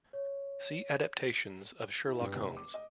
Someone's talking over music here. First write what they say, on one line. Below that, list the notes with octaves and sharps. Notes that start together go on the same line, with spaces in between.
See Adaptations of Sherlock Holmes.
C#5
E4
G2
F1
D6
D#5